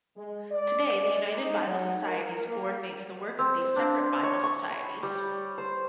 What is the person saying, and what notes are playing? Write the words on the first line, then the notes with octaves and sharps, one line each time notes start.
Today the United Bible Societies co-ordinates the work of these separate Bible Societies.
G#3
D5
G#3
D#4
F#3
A#4
A#3
C4
D4
C#5
C#6
B5
G3
C5